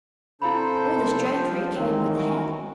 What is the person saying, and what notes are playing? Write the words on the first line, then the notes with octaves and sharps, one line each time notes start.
All this drapery came with the head.
C3 D4 E4 A4 C5 F5 B5
F3
D#3 E3 F#3 C4 C#5
F#4 A#4